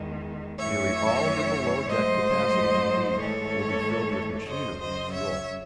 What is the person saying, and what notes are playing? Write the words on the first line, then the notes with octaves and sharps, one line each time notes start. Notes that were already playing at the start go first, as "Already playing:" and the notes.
Nearly all her below-deck capacity, indeed, will be filled with machinery and fuel.
Already playing: E2 D#3 G#3
F#2 E3 A3 C#5 E5
G#2 F#3 A3 C5 D#5
G#2 E3 A3 A4 C#5
F#2 C#3 F#3 C5 D#5
C5 D#5
C#5 E5